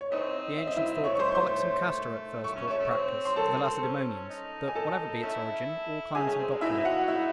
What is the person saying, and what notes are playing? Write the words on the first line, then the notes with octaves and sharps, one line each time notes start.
The ancients thought that Pollux and Castor at first taught the practice to the Lacedaemonians; but, whatever be its origin, all climes have adopted it.
C#5
E3 A3 C4 D#4 D#5
E5
D#5
E4 E5
A3 C#5 C#6
C#6
C5 C6
C5 C6
A3 C#6
C#4
A3
C#5 C#6
A3
C4
C6
A4 A5
C#4
D#4
G#5
A4 A5
A3 C#4 E4
D#4 G#4 G#5
C#4
C4
G#3
F#3 C4 D#4 E4 E5
F#4 F#5
E4 E5